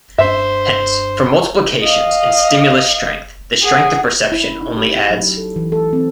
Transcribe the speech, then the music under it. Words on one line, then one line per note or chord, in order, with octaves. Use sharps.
Hence, for multiplications in stimulus strength, the strength of perception only adds.
G2 C5 E5
D#5 F5
G#4 F#5
E4
C#4
D#4
G4
F#3
A4
E3
A4
C4